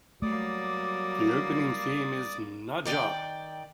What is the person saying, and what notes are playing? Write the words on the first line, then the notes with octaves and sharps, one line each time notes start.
The opening theme is Nadja!!
F#3 G3 A3 A#3 D5 D6 D#6
D#3 D5 G5